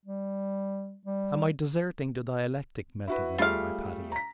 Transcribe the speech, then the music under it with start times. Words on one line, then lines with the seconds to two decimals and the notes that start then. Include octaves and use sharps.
Am I deserting the dialectic method now, Hypatia?....
0.05 G3
1.06 G3
3.08 E4 F#4 B4
3.38 G3 A3 F4 G#4 F5
4.12 A#5 B6